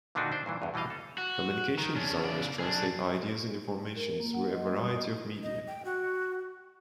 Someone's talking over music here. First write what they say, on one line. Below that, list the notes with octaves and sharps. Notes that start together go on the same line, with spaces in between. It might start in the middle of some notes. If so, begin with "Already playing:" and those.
Communications designers translate ideas and information through a variety of media.
A#2 D3 D#3 D4 D#4 F#4
D4 E4 C5
G2 A#2 E3
E2 G2
B2 E3 G3 D#5 F5
A4
F#4
D#3
C#4 D4
C#3 D5
D4 G#4
A#4
A#3
F#5
D#5
G3
D#6
D#5
D#5
G5
F#4